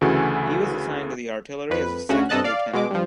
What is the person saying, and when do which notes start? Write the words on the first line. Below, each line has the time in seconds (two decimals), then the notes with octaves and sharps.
He was assigned to the artillery as a second lieutenant.
0.01 D2 C#3 E3 F#4 A4 G#5
1.70 F2 B4
2.09 D2 C#3 C#4 F#4
2.29 G2 C3 A4 D#5 A5 F#6
2.44 D5 F5
2.73 B2 G#3 D6
2.90 G2 F3